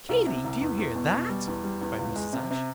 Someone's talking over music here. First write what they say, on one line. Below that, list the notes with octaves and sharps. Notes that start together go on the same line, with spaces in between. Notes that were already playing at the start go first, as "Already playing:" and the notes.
"Katy, do you hear that?" cried Mrs. Ashe.
C2
C3
C2
E2
E2
B2
B2
G3
E2
G3
E2
C#2
G#3
C3
C3